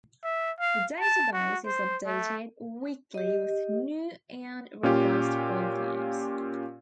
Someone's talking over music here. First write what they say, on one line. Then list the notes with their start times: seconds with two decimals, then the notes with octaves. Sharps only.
The database is updated weekly with new and revised guidelines.
0.24 E5
0.60 F5
1.00 A5
1.33 F#4
1.66 C5
2.06 A3
3.14 G4 D#5
4.83 A#2 C#4 F4 G4